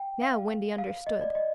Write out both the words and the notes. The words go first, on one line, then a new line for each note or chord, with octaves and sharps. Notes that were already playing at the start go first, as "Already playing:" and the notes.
Now Wendy understood.
Already playing: G5
F5
F5
D#5
D5
D#5